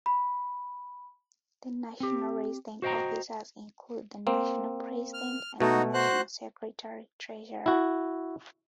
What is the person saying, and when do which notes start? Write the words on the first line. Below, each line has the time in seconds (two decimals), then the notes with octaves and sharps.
The national resident officers include the National President and the National Secretary-Treasurer.
0.06 B5
2.00 C4 G4
2.82 F#4 C5 D#5 G5 A#5
4.27 A#3 C4
5.14 F6
5.60 B2 A3 D#4 F#4
5.94 F#4 C5 F#6
7.66 E4 F#4